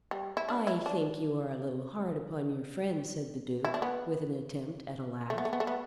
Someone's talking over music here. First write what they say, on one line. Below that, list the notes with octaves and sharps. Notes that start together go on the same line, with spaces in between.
"I think you are a little hard upon your friend," said the Duke, with an attempt at a laugh.
G3
E4
D4
E4
D4
E4
D4
B3
A3
B3
A3
B3
A3
B3